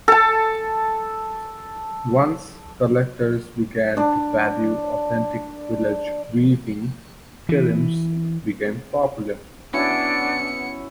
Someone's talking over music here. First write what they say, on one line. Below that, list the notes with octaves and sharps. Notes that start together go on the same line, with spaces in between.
Once collectors began to value authentic village weaving, kilims became popular.
A4 A5
D4 D5
E3
B3 C#4 D4 E4 F#4 C#7